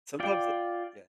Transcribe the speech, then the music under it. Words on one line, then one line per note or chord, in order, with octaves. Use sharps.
sometimes it yeah.
F4 D5 G5